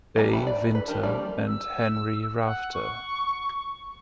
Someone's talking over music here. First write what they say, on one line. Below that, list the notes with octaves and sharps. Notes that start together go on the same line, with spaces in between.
A. Vinter and Henry Rafter.
G3 B3 F#5 G#5 A#5
D#3 B4 E5 G5 B5
D5
A3 B4
D#3 D#4 G4 A#4 A5
F3 G3 A#3 D5
E6
F#5
C#6